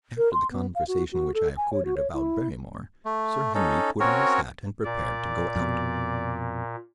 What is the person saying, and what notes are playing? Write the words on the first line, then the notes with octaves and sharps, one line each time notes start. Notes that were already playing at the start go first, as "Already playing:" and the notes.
After the conversation which I have quoted about Barrymore, Sir Henry put on his hat and prepared to go out.
A#4
C6
B3
F5
F#4
F#4
A4
G#5
C#5
F#4
C#5
E4
A3
C#4 D#4 A4
C4 C#4 F#4 A#4 C#5
A#2 D5
F2 B2